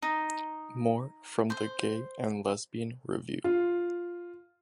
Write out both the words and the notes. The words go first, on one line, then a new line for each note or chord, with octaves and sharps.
More from The Gay and Lesbian Review.
D#4
C5
F4